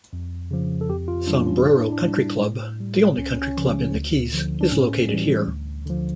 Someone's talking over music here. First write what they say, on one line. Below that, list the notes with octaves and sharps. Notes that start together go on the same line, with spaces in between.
Sombrero Country Club, the only country club in the Keys, is located here.
F2
C#3 F3
A4
F2 G4
F4
E3 G3 D4
C#4
A2 D4
E4
D4
G3
A2
G3
C#2 C#4
C#4
C#3 F3
D2
D3 F3
D4
A2 C#4
E3 G3
D2
D3 F3